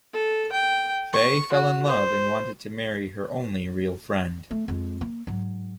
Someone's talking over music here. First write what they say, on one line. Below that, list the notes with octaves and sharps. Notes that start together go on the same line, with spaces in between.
Fei fell in love and wanted to marry her only real friend.
A4
G5
C#6
F#4
C5
A3
F2 G#3
A#3
G#2 F#3